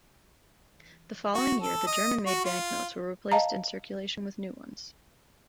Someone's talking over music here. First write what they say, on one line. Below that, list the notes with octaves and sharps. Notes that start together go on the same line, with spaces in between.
The following year the German-made banknotes were replaced in circulation with new ones.
F#4
A4
D#5
F#4
F4
D#5 F5 A5 A#5